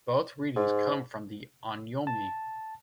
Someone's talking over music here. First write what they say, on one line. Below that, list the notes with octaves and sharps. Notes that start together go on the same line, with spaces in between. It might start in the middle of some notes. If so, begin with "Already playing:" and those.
Both readings come from the on'yomi.
G#2
A5